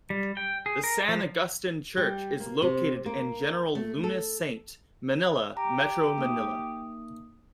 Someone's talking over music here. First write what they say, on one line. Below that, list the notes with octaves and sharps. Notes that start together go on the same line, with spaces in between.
The San Agustin Church is located in General Luna Saint, Manila, Metro Manila.
G3
G5
G#4
A#4
F3
G3
A#3
C3
A#3
A3
A4
G4 A#5
A#3 D#4 D#6